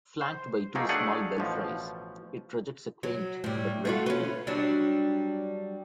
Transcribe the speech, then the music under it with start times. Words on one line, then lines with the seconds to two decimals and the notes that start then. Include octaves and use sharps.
Flanked by two small belfries, it projects a quaint but grand appeal.
0.21 C5
0.75 B2 F3 A3 A#3 D#4 G#4
0.89 F#3 A3 D4 G#4 F5 F#5
1.37 A1 B2 F3
3.03 F#3
3.44 A2 G3
3.85 A3 F4 F#4
4.06 C#4 B4
4.47 F#3 G3 D4